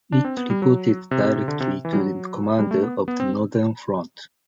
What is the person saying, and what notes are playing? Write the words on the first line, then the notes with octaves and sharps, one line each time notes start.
It reported directly to the commander of the Northern Front.
D4
C4
B3
G3
F#3
C3
C3
C3
D3
C3
E3
G3
F#3
G3
A3
B3
B3
C4